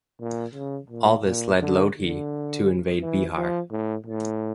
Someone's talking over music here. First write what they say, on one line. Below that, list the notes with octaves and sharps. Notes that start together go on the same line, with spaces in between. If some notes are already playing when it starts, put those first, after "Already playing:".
All this led Lodhi to invade Bihar.
A#2
C#3
A#2
A#2
D3
D3
E3
F3
A2
A2